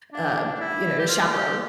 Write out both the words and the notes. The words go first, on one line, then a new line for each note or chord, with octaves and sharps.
um, you know, a chaperone.
D4
D4
E4
G4
F4
G4